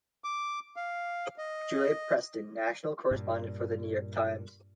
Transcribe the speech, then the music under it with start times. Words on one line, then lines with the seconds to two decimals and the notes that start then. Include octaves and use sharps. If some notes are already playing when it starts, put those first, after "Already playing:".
Julia Preston, national correspondent for The New York Times.
0.24 D6
0.76 F5
1.38 D#5
3.11 G2 A#2